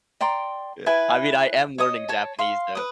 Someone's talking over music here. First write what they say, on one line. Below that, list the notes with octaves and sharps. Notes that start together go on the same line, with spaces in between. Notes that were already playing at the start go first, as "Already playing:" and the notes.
Yeah. I mean, I am learning Japanese though,
D5 G5 A#5 C6
E4 B4 G#5
C#5 D#5 D#6
C#5 A5
F5 C6
B4 D#6